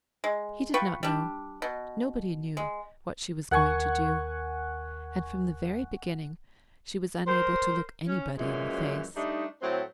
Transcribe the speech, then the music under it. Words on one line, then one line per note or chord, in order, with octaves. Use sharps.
He did not know, nobody knew, what she was going to do, and from the very beginning she was unable to look anybody in the face.
G#3
F4 B4 G5 C#6
G3 D4
B2
G#3
D#2 A#4 F#5 G#5 C#6
A#4 C5
C#4
F#2 A#2 E3 F#3 G#3
G3 A3 D4 D#4
A2 F#3 A3 C4